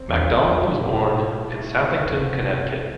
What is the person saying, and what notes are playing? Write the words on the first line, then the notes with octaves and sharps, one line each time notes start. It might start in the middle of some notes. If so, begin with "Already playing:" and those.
MacDonald was born in Southington, Connecticut.
Already playing: C4
E2 D4
F2 F4
E2
F2 F4
G2 G4
A2 A4
B2 G4
F4
G4
E4
A3
A3
E3
D3 C4
C3 B3